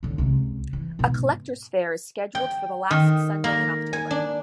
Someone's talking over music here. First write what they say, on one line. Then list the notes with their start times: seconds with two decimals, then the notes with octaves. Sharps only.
A collectors fair is scheduled for the last Sunday in October.
0.03 A2 D3
0.18 C#2 C3
0.73 E3
0.99 G#2 B2
2.35 G5
2.91 D#3
3.44 A#3
3.93 G#5
4.11 D4